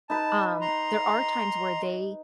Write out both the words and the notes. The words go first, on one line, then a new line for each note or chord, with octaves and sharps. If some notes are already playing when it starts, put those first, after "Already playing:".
Um, there are times where they
D#4 B4 A5
A#5 C6